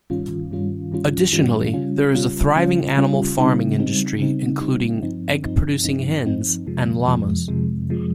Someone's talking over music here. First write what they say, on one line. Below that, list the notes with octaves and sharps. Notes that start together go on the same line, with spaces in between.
Additionally, there is a thriving animal farming industry including egg-producing hens and llamas.
G2 D#3 G3 C#4 F4
G2 D#3 G3 C#4 F4
G2 D#3 G3 C#4 F4
G2 D#3 G3 C#4 F4
C#3 G3 C#4 F4
C#3 G3 C#4 F4
C#3 G3 C#4 F4
C#3 G3 C#4 F4
C#3 G3 C4 D#4
C#3 G3 C4 D#4
C#3 G3 C4 D#4
C#3 G3 C4 D#4
G2 F3 C4 D#4
G2 F3 C4 D#4
G2 F3 C4 D#4
G2 F3 C4 D#4
F2 C3 F3 G#3
F2 C3 F3 G#3
F2 C3 F3 G#3
C3 F3 G#3